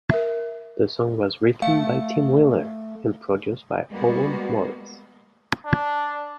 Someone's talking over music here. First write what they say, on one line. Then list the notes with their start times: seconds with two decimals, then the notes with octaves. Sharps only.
The song was written by Tim Wheeler and produced by Owen Morris.
0.10 A#4 E5
1.62 A3 F5
3.91 G3 G#3 A#3 B3 F#4
5.65 D4